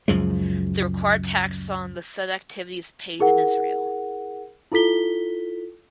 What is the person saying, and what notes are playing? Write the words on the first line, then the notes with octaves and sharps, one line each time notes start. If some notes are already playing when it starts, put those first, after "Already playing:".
The required tax on the said activity is paid in Israel.
C#2 F#2 F3 G#3
E4 G#4 A#4 F#5
E4 F4 A4 B6 G7